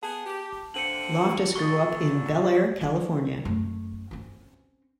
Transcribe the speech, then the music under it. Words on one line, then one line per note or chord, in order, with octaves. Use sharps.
Loftus grew up in Bel Air, California.
B3 G#4 A5
G4
D3 A#3 C4 C#7 D#7 F#7
A#2 D3 C#6 A6
E3 D#4
F#2 A3
C4 C#4